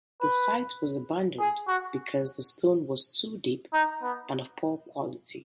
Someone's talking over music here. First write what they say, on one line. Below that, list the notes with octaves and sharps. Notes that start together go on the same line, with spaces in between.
The site was abandoned because the stone was too deep and of poor quality.
B4
G#4
F#4
D#4
B3